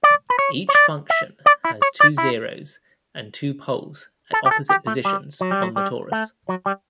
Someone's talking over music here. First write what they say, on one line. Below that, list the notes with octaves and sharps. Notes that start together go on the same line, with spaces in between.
Each function has two zeroes and two poles at opposite positions on the torus.
D5
B4
C#5
C#5
D5
E5
D5
E4
C#5
D5
E4
A4
G4
A4
G4
A3
G3
F#3
G3
F#3
G3
A3
F#3
G3